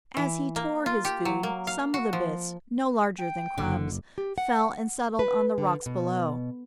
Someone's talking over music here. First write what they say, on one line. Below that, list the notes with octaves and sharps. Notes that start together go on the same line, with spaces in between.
As he tore his food, some of the bits, no larger than crumbs, fell and settled on the rocks below.
E3
A#3
F4
G4
F#3
A#3
F5
F#4
F3
G5
F#1 D3
G4
F#5
B4
D3
B2